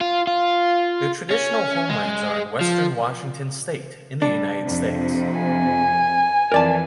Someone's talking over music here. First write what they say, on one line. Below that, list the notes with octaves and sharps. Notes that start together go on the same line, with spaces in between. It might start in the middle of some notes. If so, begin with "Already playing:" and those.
Their traditional homelands are in western Washington state in the United States.
F4
F4
C#4
G#3
F3
G3 D4
F2 C3
G#5
F2 E3 A#4 D5 A5